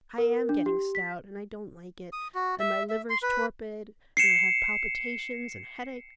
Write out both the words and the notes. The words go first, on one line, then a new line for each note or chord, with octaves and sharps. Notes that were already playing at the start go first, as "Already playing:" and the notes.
I am getting stout, and I don't like it; and my liver's torpid, and I have palpitations and headache.
A#4
D4
G4
B6
D#6
F#4
E5
E5
C6
B4
C7 C#7 E7